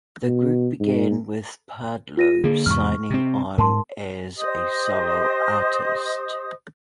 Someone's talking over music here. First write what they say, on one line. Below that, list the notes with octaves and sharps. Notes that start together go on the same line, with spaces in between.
The group began with Pardlo signing on as a solo artist.
B2
G#2
F4 A#6 D#7
D3 A#3 G#4
E2 G#2 C3 C#6 F6
C3 C4
G#2 A#4 A5 C6
G4 C5 D#5 D#6